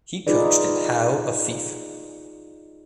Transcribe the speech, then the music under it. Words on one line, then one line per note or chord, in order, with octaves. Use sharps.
He coached at Howe of Fife.
D#4 F4 G#4 B4 D5